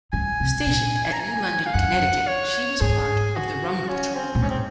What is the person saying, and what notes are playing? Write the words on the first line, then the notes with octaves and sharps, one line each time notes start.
Stationed at New London, Connecticut, she was part of the Rum Patrol.
G#2 G#5
C3
A#2
A#5
G#5
F5
F#2 F#5
C#5
G#2 G#4
F#4
C#4
C4
A#2
G#2 C#4
C4